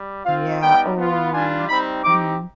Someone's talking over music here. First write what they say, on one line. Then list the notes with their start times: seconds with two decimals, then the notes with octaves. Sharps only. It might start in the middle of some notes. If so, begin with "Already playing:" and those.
Yeah, ooh. Mhm.
Already playing: G3
0.25 C4 F4 F5
0.61 G3 B3 D#4 G5
0.97 B3 F4
1.32 G3 D4 F4 G#5
1.67 G3 C4 D#4 B5
2.03 C4 D#4 G4 D6